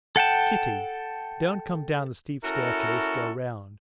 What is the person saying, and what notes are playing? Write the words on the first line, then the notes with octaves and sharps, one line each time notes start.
"Kitty, don't come down the steep staircase, go round."
A4 F#5 G5 A5
C#4 E4 F#4 A4 A#4